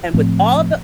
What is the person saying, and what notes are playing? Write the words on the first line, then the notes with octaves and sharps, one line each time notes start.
And with all the
A2 F3 A3 C4